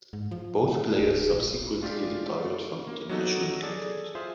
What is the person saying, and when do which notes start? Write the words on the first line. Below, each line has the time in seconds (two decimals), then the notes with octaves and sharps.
Both players subsequently retired from international cricket.
0.13 G#2
0.31 F3
0.72 A3
1.00 D1
1.32 A#1
1.80 G#3 A3 F4 G4 D5
2.87 A#3
3.09 F#3 B3 D#4 F#4 G4 A4
3.62 G#4 A4 D5
4.15 F4 G#4 C5 E5 E6